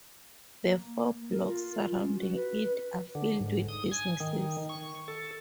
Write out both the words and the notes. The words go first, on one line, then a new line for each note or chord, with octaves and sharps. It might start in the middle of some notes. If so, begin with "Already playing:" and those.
The four blocks surrounding it are filled with businesses.
A#3
A#4
F4
C#4
F#4
B4
D3
G#2
D#6
G#5
D#3
C#6
A4